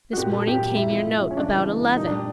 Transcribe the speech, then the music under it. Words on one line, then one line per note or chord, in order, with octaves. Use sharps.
This morning came your note, about eleven.
F#4
A#2 G4
F#3 A4
A#2 G4
F#3
A2 E4
F3 G#3
A2
F3 G#3
C#4
C#3 D4
E3 G#3
C#3
E3 G#3
A#2 D#4
G3 D4